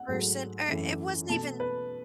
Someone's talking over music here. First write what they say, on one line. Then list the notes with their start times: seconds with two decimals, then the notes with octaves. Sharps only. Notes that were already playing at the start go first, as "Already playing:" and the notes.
person, or it wasn't even
Already playing: F#5
0.08 G#2 F#3 A3
0.68 F#2 E3 A3
1.29 B2 A3 A5
1.60 B4